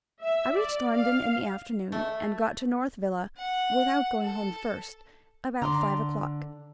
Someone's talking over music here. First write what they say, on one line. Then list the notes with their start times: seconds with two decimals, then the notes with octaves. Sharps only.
I reached London in the afternoon; and got to North Villa--without going home first--about five o'clock.
0.23 E5
0.57 D5
0.94 F5
1.92 A3
3.37 F#5
4.21 A4
5.62 D3 A#5 C6 D6